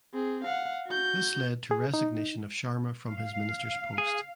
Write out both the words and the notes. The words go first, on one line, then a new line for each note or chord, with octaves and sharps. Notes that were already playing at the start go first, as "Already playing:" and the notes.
This led to resignation of Sharma from his ministers post.
C4 G#4
F5 F#5
F#4 G6
G#4
D#4
F5
G#4